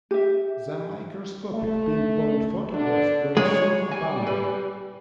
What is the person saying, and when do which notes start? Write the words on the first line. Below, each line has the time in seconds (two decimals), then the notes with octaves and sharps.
The microscopic pin-point photographs were soon abandoned.
0.11 G4 E5
1.53 A3
2.75 D3 D4
3.37 G#3 C#5
3.91 G3 G#5
4.27 B4